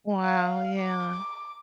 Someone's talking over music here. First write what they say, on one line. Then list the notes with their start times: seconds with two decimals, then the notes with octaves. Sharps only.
Wow, yeah.
0.25 F5
0.80 D6